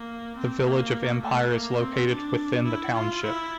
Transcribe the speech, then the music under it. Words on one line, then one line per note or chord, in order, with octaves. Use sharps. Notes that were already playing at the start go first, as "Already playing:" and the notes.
The village of Empire is located within the township.
Already playing: A#3
C4
A#3
A3
A#3
C4
D4
E4
F4
E4